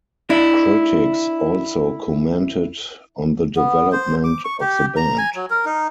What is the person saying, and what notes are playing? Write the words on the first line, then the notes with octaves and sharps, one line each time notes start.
Critics also commented on the development of the band.
D4 E4
B3
C5
D6
C#6
G4
A#5
G#5
F#3
A#4
D#4